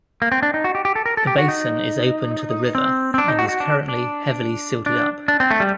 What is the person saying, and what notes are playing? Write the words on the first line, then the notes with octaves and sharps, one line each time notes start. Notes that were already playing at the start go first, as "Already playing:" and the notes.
The basin is open to the river and is currently heavily silted up.
A#3
C4
D4
D#4
F#4
G4
G4
A4
A#4
A4
G4
F#4
D#4
C4
C4
D4
D#4
F#4
F#4
D4
D4
D4
D4
C4
A3
G3